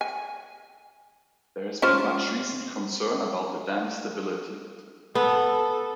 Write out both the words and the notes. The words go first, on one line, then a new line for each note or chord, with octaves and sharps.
There has been much recent concern about the dam's stability.
G#5
C#4 F4 C5
B3 A4